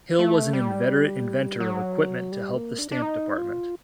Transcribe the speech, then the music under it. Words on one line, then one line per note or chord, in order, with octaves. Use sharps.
Hill was an inveterate inventor of equipment to help the stamp department.
A3
G3
F#3
G3
A#3
D4
D4
D#4
F4